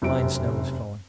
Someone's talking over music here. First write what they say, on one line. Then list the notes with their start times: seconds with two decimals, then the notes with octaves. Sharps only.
Fine snow was falling.
0.02 F1 F#2 C3 D7